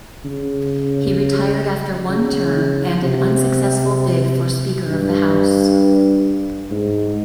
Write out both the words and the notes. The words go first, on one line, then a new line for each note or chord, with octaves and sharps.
He retired after one term and an unsuccessful bid for Speaker of the House.
C#3
C#3
C3
G2
G#2